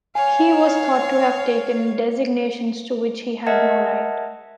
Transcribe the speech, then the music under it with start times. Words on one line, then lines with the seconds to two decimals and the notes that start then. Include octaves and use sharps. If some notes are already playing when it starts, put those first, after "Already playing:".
He was thought to have taken designations to which he had no right.
0.15 C#5 F5 G#5
3.46 A#4 D#5 E5 F#5 A5 G#6